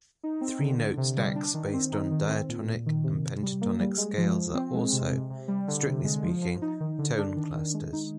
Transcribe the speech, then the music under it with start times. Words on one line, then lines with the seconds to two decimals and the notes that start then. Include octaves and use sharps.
Three-note stacks based on diatonic and pentatonic scales are also, strictly speaking, tone clusters.
0.23 D#4
0.41 C4
0.60 D3
0.80 D3
0.97 C3
1.17 G3
1.36 D4
1.54 D#3
1.73 C4
1.92 D#4
2.11 D#3
2.29 C4
2.49 A#2
2.67 A#2
2.86 D#3
3.04 C3
3.23 C3
3.43 G3
3.61 A#3
3.80 G3
3.98 G#3
4.18 F3
4.37 F3
4.55 C4
4.74 G#3
4.93 C3
5.10 C3
5.30 C3
5.48 G3
5.68 D3
5.87 C3
6.04 G#3
6.23 F3
6.42 F3
6.62 D#4
6.81 D#3
6.99 D3
7.18 D4
7.36 D#3
7.54 D#3
7.74 G#3
7.93 D#4